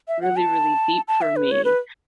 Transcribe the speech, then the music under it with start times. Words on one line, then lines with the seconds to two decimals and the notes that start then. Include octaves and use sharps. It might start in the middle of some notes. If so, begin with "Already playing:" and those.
really, really deep for me.
0.08 E5
0.22 F#5
0.37 A5
1.08 A5
1.22 E5
1.36 B4
1.51 C#5
1.65 B4